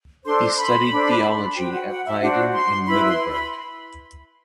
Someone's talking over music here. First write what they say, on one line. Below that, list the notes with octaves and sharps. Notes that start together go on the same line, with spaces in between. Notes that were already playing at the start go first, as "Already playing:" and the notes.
He studied theology at Leiden and Middelburg.
D4 A4 C5 C6
B5
D4 A4 C5
F#4 C5 G5
F#5
F#5
E5
D4 F#4 C5 F#5
C6
E4 B4 B5
C6
B5